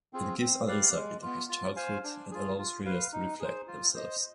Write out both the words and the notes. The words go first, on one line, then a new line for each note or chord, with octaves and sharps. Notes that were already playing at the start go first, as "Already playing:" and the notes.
It gives an insight into his childhood and allows readers to reflect themselves.
C4 F4 G#4
C4
G4 B4 D5 F5
G#3
B3 F4
F4
C5 F5 G#5
D4
F4 G#4
F4
B4 F5
D#4
G#4 C5
F4
C5 D#5